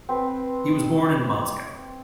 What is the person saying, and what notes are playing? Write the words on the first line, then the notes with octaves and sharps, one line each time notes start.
He was born in Moscow.
C4 B4